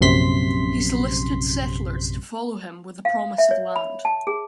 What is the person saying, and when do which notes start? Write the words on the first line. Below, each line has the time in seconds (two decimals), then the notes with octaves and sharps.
He solicited settlers to follow him with the promise of land.
0.01 A#1 F#2 C3 C6 B6
3.05 F5
3.38 E5
3.51 C#5
3.76 B5
4.05 A5
4.27 G#4